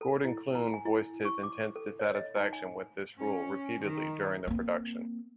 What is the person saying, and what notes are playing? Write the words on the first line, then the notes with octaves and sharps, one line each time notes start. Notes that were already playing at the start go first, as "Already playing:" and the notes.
Gordon Clune voiced his intense dissatisfaction with this rule repeatedly during the production.
A4
E4
A#5
G#5
E4
C#6
D6
A4
C#5
D#5
D#4
G#5
C#4
D#3
A#3 C4